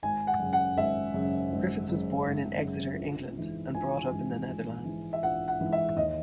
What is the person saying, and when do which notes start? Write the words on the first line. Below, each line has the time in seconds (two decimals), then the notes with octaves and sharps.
Griffiths was born in Exeter, England, and brought up in the Netherlands.
0.03 G#1 G#5
0.27 F#5
0.39 F#2 C#3
0.53 F#5
0.77 G#1 E5
1.14 F#2 C#3
1.52 G#1
1.88 F#2 C#3
2.25 G#1
2.63 F#2 C#3
2.99 A#1
3.37 G#2 E3
3.74 A#1 G#5
4.12 G#2 E3
4.48 A#1
4.85 G#2 E3
5.13 E5
5.23 A#1 F#5
5.48 F#5
5.60 G#2 E3
5.73 E5
5.96 D#2 D#5